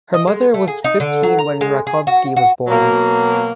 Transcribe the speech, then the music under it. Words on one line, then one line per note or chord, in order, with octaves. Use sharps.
Her mother was fifteen when Rakovsky was born.
D#5
G#3
A3
G#4
D#4
D3
F#3
A#5
G#3
G#4
F#4
F#4
B2 F#3 A#3